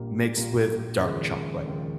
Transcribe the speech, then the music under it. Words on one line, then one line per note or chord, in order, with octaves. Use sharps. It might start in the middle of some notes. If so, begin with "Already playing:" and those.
mixed with dark chocolate.
Already playing: A#1 A#2 G3 A#3
A#1 A#2 G3 A#3
D#2 C#3 F3 G#3
D#2 C#3 F3 G#3